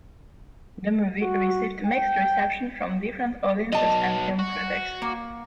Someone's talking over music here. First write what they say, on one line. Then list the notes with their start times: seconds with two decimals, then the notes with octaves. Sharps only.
The movie received mixed reception from different audiences and film critics.
1.22 F#4
1.86 G5
3.72 F#3 B3 D#5 A5
4.39 F#4
5.02 A#3